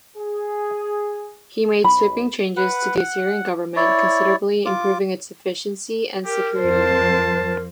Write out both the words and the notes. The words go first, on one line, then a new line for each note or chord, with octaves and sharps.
He made sweeping changes to the Assyrian government, considerably improving its efficiency and security.
G#4
B1 B5
B4 F#5
F#5
E4 C#5 D5
F4 D6
G4 A#4
F2 F3 C5 A5